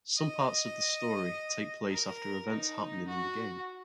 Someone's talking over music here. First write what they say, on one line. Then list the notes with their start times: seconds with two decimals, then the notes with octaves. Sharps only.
Some parts of the story take place after events happening in the game.
0.18 D#5
1.92 A#4
2.50 D#4
3.08 F#4